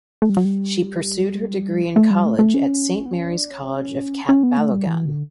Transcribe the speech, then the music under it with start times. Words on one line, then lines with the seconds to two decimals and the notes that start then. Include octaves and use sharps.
She pursued her degree in college at Saint Mary’s College of Catbalogan.
0.22 A3
0.30 G3
0.37 F#3
0.45 G3
1.96 A3
2.11 G3
2.25 A3
2.39 A3
2.54 C#4
3.06 B3
3.13 C#4
3.31 D4
3.51 C#4
4.29 C#4
4.43 B3
4.58 A3
4.71 G3
4.87 E3
5.06 D3